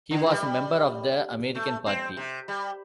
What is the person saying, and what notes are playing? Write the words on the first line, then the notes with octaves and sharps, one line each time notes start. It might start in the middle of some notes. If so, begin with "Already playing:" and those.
He was a member of the American Party.
D3
E3
G3
A3
C4
C3
G3